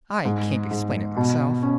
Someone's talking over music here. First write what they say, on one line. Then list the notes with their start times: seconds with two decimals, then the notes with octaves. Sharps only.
"I can't explain it, myself."
0.25 G#2
0.71 G#2
1.16 B2
1.63 C#4